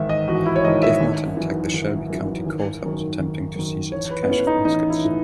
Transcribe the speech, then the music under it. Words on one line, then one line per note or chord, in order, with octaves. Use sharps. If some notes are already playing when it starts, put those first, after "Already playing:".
Dave Martin attacked the Shelby County Courthouse, attempting to seize its cache of muskets.
Already playing: A1 G#2 D#3 E5
D#5
A1 F#4
E4
C#5
G#2 D#3 D#5
E5
G#1
F#2 E3
G#1
F#2 E3
G#1
F#2 D#3
G#1
F#2 D#3
A1 C#5
B4
B3
A2 E3 C#4
D#4
A1 D#4
E4
A2 E3